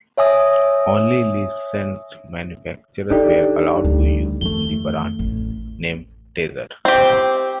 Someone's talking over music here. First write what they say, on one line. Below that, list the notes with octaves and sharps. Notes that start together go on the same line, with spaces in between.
Only licensed manufacturers were allowed to use the brand name "Tessar".
C#5 E5 G#5 D#6
D#3 D4 D#4 G4 A4 D5
D2 G3
F2 D#3 A3 G7
A1
C4 G4